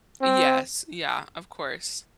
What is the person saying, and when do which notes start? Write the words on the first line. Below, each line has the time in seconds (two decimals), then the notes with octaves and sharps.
Yes. Yeah, of course.
0.22 C4